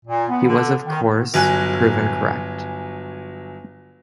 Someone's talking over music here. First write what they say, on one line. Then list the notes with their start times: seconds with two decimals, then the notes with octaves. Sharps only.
He was, of course, proven correct.
0.06 A#2
0.29 B3
0.46 D3
0.86 D#3
1.34 G1 F#3 G#5 F#6